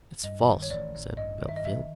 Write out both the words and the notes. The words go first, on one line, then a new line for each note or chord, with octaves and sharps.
"It's false," said Bellfield.
G2 D#5
D#3
C#5
A1 D5
A1
G2 D#5
D#3
E5
D#5
A1 E5